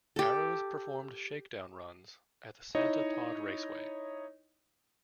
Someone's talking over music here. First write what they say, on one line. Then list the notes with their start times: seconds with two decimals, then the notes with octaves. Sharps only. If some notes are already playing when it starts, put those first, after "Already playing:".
Arrows performed shakedown runs at the Santa Pod Raceway.
0.16 G4 A4
2.75 D#4 E4 C#5 D#5